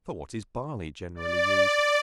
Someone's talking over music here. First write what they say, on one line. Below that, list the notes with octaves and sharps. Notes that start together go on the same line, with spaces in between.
For what is Barley generally used?
D5